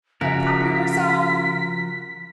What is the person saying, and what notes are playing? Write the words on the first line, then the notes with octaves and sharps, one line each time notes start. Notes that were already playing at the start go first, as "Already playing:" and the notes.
"A popular song?"
C#3 F3 F#4 A#4 B6